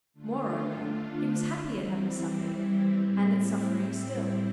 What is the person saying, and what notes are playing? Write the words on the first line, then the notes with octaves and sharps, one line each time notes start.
Moreover, he was happy at having suffered, and at suffering still.
D3 A3 D4 F4
E3 G3 C4 E4
A2 G3 C4 E4